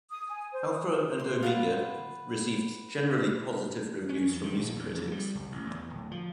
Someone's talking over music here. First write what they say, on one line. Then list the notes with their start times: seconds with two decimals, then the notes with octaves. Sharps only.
Alpha and Omega received generally positive reviews from music critics.
0.10 D#6
0.29 G#5
0.53 C5
0.73 D#6
1.19 C6
1.43 F4 B4 F#5
4.09 C#4
4.29 F2
4.43 D#3
4.57 A#1
4.76 E2
4.94 F2
5.12 G3
5.35 C2
5.52 A1
5.67 E2
5.90 D1
6.11 F3